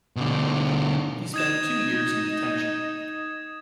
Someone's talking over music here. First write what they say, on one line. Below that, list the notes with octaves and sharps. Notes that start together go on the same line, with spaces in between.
He spent two years in detention.
B2 D3
D#4 D#6 G#6 E7